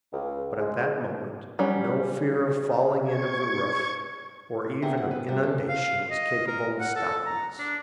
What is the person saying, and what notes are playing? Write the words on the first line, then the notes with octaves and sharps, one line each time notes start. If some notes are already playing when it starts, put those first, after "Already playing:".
But at that moment no fear of falling in of the roof, or even of inundation was capable of stopping us.
C#2
G#3
F#3 G3 C#4
C#6 G#6
B3 C4 D#4 G#4 C5 E5
F#5
B3 B4
C3 G3 C5 E5
E2 E3 A4
F5
D#5
A#4
F#5
A4
A#5
D4